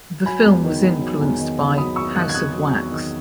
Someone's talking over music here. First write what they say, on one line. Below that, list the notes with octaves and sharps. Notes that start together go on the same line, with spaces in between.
The film was influenced by "House of Wax".
F#3 G#5 B5
E2
D#3
E2
F#3
E2
D#3
E2
F#3 B5 D#6
E2 C#6 E6
D#3 D#6 F#6
G#6
E2 D#6 F#6
F#3
E2
D#3